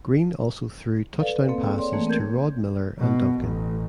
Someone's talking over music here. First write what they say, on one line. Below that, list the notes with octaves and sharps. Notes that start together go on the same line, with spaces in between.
Green also threw touchdown passes to Rod Miller and Duncan.
A4 B4 D5 F5
A#3 C4 A4
G#4 G5
C#5 D5 C6
E3 A3 A#3
C4 A#4 G6 G#6
B2
A1